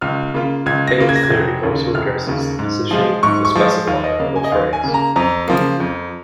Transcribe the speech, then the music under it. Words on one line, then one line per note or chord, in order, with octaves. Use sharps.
Kayne's theory also addresses the position of the specifier of a phrase.
C#2 F6
C#3 A#3 F4
C#2 G#6
A#6
C#3 A#3 F4
G#6
A#6
G#6
F1
D#2 C#3 A#3
F1 F6
D#2 C#3 A#3
G#2
F3 G#3 F4
G#2 C#6
C#6
F3 G#3 F4
D#2 F5
D#5
C#3 A#3 F5
G#5
D#5
D#2 F5
G#5
C#3 A#3
A#5
F2 A#5
C#3 F3 A#3
F2